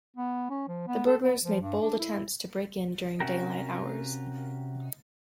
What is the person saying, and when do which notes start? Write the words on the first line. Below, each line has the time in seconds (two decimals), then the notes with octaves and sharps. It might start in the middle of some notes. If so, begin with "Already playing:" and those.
The burglars made bold attempts to break in during daylight hours.
0.17 B3
0.50 C#4
0.68 F3
0.88 B3
1.06 A4
1.23 B3
1.42 F3
1.62 G2
1.81 D4
1.99 E4
3.20 C3 E3 C#4 F#4 G4 A#4